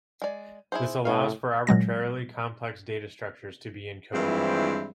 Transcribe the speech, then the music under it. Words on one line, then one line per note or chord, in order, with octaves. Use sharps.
This allows for arbitrarily complex data structures to be encoded.
G#3 D5
E4 G#4 C5
A2 C#4 F5
A#2 F#3 G#3 A#6
G2 E3 F3 G#3 C4 E4